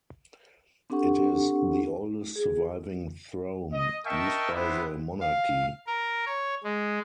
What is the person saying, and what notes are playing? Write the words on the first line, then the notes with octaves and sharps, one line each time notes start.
It is the oldest surviving throne used by the monarchy.
C4 D4 G4 A4 F#5 C#6
G#4
D#5
A#4 D#5 E5 G5 A5 C#6
B3 C4 D4 E4 C5
F5
A#4
C#5
G#3